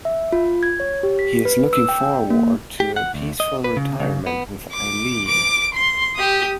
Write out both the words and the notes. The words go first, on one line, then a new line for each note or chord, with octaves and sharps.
He is looking forward to a peaceful retirement with Eileen.
E5
F4
G#6
C#5
G4
B6
B4
E6
G5
A#3
G4
F#5
D2
D#5
B4
C#3
C#3
B3
D6
D6 D7
C6
G4 D#6